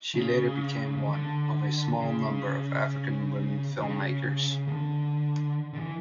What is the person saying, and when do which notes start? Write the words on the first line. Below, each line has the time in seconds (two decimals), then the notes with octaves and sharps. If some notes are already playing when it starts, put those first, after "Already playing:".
She later became one of a small number of African women film makers.
0.15 C#3
0.97 C#3
1.07 D3
1.98 C#3
3.80 C#3
4.68 C#3
4.72 D3
5.74 D3
5.78 E3